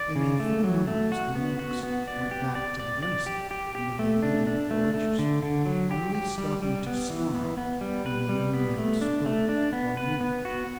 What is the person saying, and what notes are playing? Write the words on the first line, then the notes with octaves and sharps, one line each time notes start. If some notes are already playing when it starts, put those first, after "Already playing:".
In a few moments the lynx went back to the venison, and began eating it voraciously, only stopping to snarl when the young men spoke or moved.
Already playing: D5
C#3
A3
F#3
A3
F#4
B3
F#4
B3
D5
G4
D5
D5
D5
G4
G4
G4
A3
D4
D4
A3
A3
D3
D3
F#3
G4
G4
G3
G3
B3
E3
B3
B3
G3
B4
G3
B3
A3
D4
A3
D4
B3
B4
B3
F#4